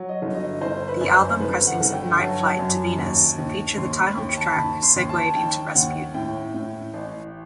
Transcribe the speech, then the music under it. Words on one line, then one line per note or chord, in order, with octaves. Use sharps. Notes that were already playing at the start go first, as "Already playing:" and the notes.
The album pressings of "Nightflight to Venus" feature the title track segued into "Rasputin".
Already playing: F#3
D#5
G1
D#5
G1 C5
B4
F#2
C5
G1 B4
F#5
G1
G5
F#3 A5
F#2
D#2
D#2
D#2 C6
B5
D#2 G5
A5
D#2 B5
C6
D#2
A5
D#3 G5
D#2 F#5
A2 G5
A2
A1